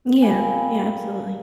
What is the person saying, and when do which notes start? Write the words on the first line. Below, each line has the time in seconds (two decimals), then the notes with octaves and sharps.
Yeah, yeah, absolutely.
0.22 A#2 G3 G#5